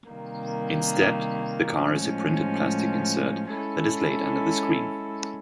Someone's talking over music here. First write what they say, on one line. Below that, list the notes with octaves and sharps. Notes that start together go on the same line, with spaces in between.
Instead, the car is a printed plastic insert that is laid under the screen.
C3 D#3 G3 A#3
A2 F3 G#3 C#4
G#3 C#4 E4 A4